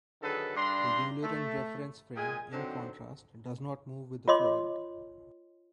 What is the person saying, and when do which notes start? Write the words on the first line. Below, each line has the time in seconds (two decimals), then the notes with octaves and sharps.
The Eulerian reference frame, in contrast, does not move with the fluid.
0.21 D3 D#3 F#3 G#4 A4 B4
0.55 G2 G3 D4 A#5 C6
1.23 A3
2.16 A#2 G#3 G#4 G5 G#5
2.52 D3 D#3 F#3 C4
4.28 F4 C#5 D#5 C6 D6